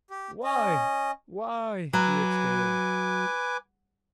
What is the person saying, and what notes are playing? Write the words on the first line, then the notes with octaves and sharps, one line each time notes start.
"Why--why!" he exclaimed.
G4
C#4 D#5
F#3 B4 G#5 D6